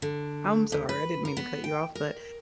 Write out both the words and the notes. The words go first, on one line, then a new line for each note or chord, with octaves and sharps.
I'm sorry, I didn't mean to cut you off, but
D3
D2
B4
A#4
B3
G5
A#4